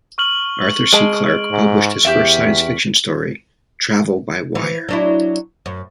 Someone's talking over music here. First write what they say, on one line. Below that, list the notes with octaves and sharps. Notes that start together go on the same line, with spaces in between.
Arthur C. Clarke published his first science fiction story, Travel by Wire!
C#6 F6 F#7
G#3 A5 D7
G#2
E2 G4 E5 B6
E3
F#3 D4 E4
F#2